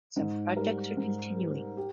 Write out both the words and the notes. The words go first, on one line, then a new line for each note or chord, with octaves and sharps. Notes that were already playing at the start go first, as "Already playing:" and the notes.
Some projects are continuing.
G#2 D#4
G3 A#4
G#2
G3
G4